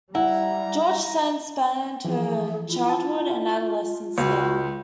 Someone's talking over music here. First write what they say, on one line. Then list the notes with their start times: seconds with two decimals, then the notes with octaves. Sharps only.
George Sand spent her childhood and adolescence there.
0.15 G3 E4 F#5 A#5
2.05 E3 F3 G#4
2.68 E4 F4
2.89 A5
4.18 C#2 F#4